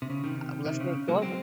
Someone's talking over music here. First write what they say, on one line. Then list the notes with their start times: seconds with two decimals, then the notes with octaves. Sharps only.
a well, let's say global.
0.02 C3
0.10 C#3
0.24 C3 D#3
0.65 C3 D#3
0.80 C#3
1.08 F#3 A#3
1.22 G#3 C4